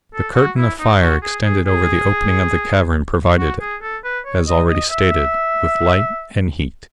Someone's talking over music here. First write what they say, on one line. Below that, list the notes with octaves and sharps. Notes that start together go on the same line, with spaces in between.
The curtain of fire extending over the opening of the cavern provided it, as already stated, with light and heat.
A4
F#4
E4
D#4
F#4
G#4
G#4
G#4
F#4
G#4
A4
B4
C#5
D#5
D#5
E5